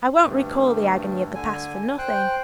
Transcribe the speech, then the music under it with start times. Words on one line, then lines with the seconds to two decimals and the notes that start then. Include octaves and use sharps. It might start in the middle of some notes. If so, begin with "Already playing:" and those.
I won't recall the agony of the past for nothing.
0.23 D2 G2
1.35 D3 G#5
1.98 C5 G5 F#6